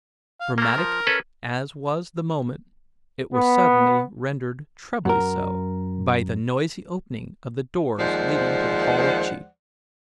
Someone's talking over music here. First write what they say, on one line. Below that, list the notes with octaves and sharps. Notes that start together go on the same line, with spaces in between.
Dramatic as was the moment it was suddenly rendered trebly so by the noisy opening of the doors leading to The Hall of Chiefs.
F5
A3 A#3 A#4
F3
C#4 A4 B4
B3
F#2 A#4
D#2 F3 G#3 C5 D5 F#5